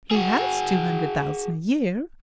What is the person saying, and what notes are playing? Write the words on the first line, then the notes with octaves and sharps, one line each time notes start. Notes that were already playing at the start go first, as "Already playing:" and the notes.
He has two hundred thousand a year.
F#4 G#4